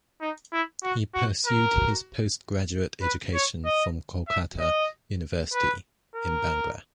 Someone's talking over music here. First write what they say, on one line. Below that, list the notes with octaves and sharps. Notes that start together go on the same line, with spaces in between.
He pursued his post graduate education from Kolkata University in Bangla.
D#4
E4
F#4
F#4
A#4
B4
C#5
D#5
E5
D#5
B4
A#4